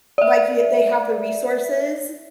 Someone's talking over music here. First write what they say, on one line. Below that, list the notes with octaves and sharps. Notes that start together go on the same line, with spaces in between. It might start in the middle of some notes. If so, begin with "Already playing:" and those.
like you they have the resources
D5 E5